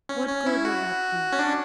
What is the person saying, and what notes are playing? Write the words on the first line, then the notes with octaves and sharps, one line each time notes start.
"What good will that do?"
C#4
C#4
E4
F#4
C#4
D4